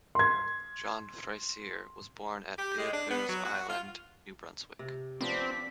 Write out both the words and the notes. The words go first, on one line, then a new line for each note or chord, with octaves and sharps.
John Fraser was born at Beaubears Island, New Brunswick.
C6 G#6
G4
G#3
D4
B3
F#3
F#4
F4
C3
F3 B3 C4 D4 D5 B6